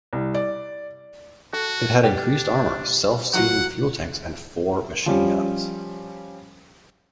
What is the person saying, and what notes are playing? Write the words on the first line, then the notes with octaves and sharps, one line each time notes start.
It had increased armor, self-sealing fuel tanks, and four machine guns.
C2
D5
F#4 A4
D4 G4
F#3 F4 F#4 F#5
F3 G3 C#4